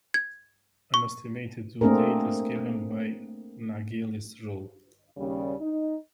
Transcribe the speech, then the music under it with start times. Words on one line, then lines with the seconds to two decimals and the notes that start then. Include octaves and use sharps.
An estimated due date is given by Naegele's rule.
0.14 G#6
0.94 C#6
1.81 A3 A#3 C4 D4 G#4 A#4
5.17 D#2 C#3 G3
5.59 D#4